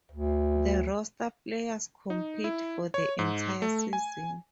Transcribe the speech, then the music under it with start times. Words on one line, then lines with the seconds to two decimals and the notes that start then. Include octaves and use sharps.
The roster players compete for the entire season.
0.12 D2
2.10 D#4
2.44 E4
2.94 C#5
3.19 G#2
3.62 A3
3.93 G#5